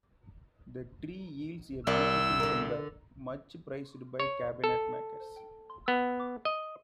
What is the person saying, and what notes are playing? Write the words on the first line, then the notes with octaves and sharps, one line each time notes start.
The tree yields a beautiful timber much prized by cabinet-makers.
C2 E4 A#4 D5 E6
D3 A#4
C#5
A4
B3
D#5